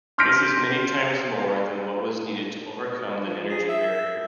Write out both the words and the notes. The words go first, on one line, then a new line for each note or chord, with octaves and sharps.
This is many times more than what was needed to overcome the energy barrier.
C6 F6 G6 A#6 B6 D7
F3
G#4
E5